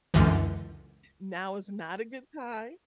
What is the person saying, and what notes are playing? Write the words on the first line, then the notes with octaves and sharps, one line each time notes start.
now is not a good time"
C#2 F#2 D3 E3